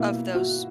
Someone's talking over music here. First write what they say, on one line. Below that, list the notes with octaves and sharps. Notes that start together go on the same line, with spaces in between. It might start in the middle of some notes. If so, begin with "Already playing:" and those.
of those
Already playing: B2 A#3 E4
F#4